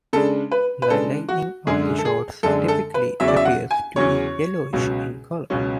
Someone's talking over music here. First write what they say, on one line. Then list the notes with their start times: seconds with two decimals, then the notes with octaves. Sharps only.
The lighting of the shots typically appears to be yellowish in color.
0.13 C#3 G#3 D4 A4
0.51 B4
0.82 B4
0.90 C#3 G#3 D4 A4
1.29 F#4
1.67 F#2 D3 G#3 D4 G#4
1.98 A4
2.05 G#4
2.43 F#2 D3 G#3 D4 A4
2.68 A4
2.94 B4
3.20 E2 C#3 F#3 C#4 E5
3.28 D5
3.36 E5
3.45 F#5
3.71 G#5
3.96 E2 C#3 F#3 C#4 C#5
4.73 C#2 B2 F#3 C#4
5.50 C#2 B2 F#3 C#4